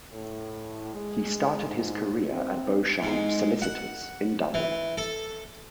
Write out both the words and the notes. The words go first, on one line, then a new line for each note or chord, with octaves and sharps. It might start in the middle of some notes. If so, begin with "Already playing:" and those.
He started his career at Beauchamps Solicitors in Dublin.
A2
G#3
G#2
C4
G#2
F#5
E3
A4